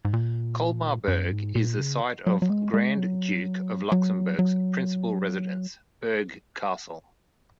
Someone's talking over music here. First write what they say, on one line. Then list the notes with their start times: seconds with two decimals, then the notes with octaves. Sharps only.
Colmar-Berg is the site of the Grand Duke of Luxembourg's principal residence, Berg Castle.
0.05 G#2
0.13 A#2
1.08 F#2
1.32 G#2
1.55 A#2
1.79 C#3
2.27 F#3
2.42 F#3
2.50 G#3
2.74 G#3
2.97 F#3
3.92 F#3
4.39 F#3